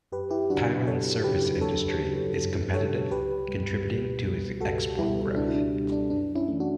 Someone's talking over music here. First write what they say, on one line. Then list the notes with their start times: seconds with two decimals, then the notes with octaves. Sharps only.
Thailand's service industry is competitive, contributing to its export growth.
0.12 F#2 G4 B4
0.30 E4 G4
0.50 C#3 F#3 D4 F#4
0.87 F#2 A4 C#5
1.24 C#3 F#3 G4 B4
1.61 F#2 A4 C#5
1.99 C#3 F#3
2.36 F#2
2.74 C#3 F#3 A4 C#5
3.11 C#2 G4 B4
3.48 B2 G3
3.86 C#2
4.24 B2 G3
4.61 C#2 F#4 A4
4.98 B2 G3 E4 G4
5.36 C#2 D4
5.48 E4
5.55 D4
5.74 B2 G3
5.92 D4
6.10 F#2 D4
6.35 C#4 E4
6.48 E3 A3
6.60 D4 F#4